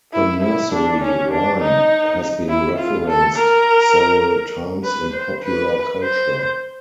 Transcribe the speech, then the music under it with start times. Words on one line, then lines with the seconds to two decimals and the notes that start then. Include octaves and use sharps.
The nursery rhyme has been referenced several times in popular culture.
0.13 E4
0.43 E4
0.73 D4
1.02 C#4
1.31 D4
1.60 D#4
2.49 E4
2.79 F4
3.08 A4
3.36 A#4
4.84 B4
5.13 C5
5.43 B4
6.02 C5